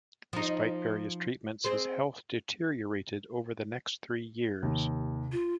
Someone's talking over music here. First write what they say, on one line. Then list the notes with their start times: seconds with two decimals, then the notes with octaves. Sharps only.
Despite various treatments, his health deteriorated over the next three years.
0.33 F3 D#4
1.64 C4 G#4 C5
4.63 D#2 C3
5.32 F4